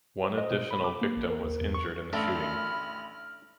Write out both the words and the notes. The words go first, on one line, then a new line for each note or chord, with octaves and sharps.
One additional victim was injured in the shooting.
C5
D#5
B2
B5
D6
A#3
A1
A#4
D#2
E2
C#6
A1 D4 A4 E5 B5 F6